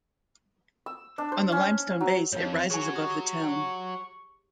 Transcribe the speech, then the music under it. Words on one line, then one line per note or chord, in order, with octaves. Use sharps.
On the limestone base it rises above the town.
E6
D4
C5
C#4
F#3
F2 G#2 C#5 F5
F#3 G#4 G#5 C#6
G4 D#6